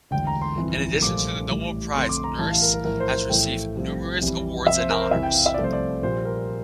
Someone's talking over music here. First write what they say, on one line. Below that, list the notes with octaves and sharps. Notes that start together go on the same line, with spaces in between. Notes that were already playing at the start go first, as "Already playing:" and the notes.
In addition to the Nobel Prize, Nurse has received numerous awards and honours.
E1 D2 D3 G5
A#5
C6
G1 F2 E3
C2 A#2 F3 A3 D6
A1 A2 G3
F2 D3 A3 C6
D6
C6
A#5
A1 A2 E3 G3 A5
F5
A#4
A#4
A1 A2 F3 A#4
C5
A1 A2 F3 A3 G5
C2 C3 F3 A3
F2 E3 G3
F2 C3 F3 E5
C5
A#4
C5
E2 C3 E3 E5
G5
F5
E5
C2 C3 F3 A3 D5
C5
D5
A#1 A#2 G3 C5
A#4